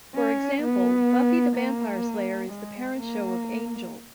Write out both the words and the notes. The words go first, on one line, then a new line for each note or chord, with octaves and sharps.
For example, "Buffy the Vampire Slayer" is the parent show of "Angel".
C#4
B3
A#3
G#3
A#3